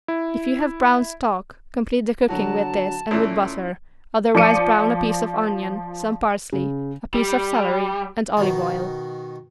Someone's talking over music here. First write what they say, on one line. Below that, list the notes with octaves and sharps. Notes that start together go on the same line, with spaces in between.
If you have brown stock complete the cooking with this and with butter, otherwise brown a piece of onion, some parsley, a piece of celery and olive oil.
E4
D3 F#3 F#4 A5
A#2 E3 A3 C#4 E4
F3 D5 D6 C#7 D#7
C#3
G3
B2 D#3